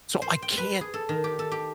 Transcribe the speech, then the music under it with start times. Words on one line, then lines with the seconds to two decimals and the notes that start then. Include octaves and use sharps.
so I can't
0.22 C5
0.42 G5
0.58 B4
0.81 G#4
0.94 A4
1.09 D#3
1.24 G4
1.39 A4
1.52 G4